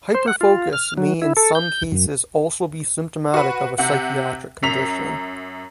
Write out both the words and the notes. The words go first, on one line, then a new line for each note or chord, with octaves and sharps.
Hyperfocus may in some cases also be symptomatic of a psychiatric condition.
C5
F#5
F4
F6
F#3
E4
A4
G6
F#2
F#4 B4
C3 F#5
F#2 A#5 B6 F7